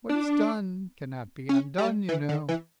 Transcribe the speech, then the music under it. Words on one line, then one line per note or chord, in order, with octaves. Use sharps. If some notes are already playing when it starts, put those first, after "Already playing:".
What is done cannot be undone, you know.
D4
C#4
G3
E3
D3
E3